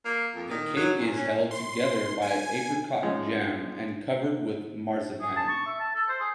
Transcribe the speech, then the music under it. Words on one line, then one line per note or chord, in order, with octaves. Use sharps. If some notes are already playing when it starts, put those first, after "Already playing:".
The cake is held together by apricot jam and covered with marzipan.
A#3
F2
D#3
F#3
E2
C#4
C6
G#5
F3 G#3 C#4 D#4
G#4
A5
C#6
E5
A5
A4
C5
G#4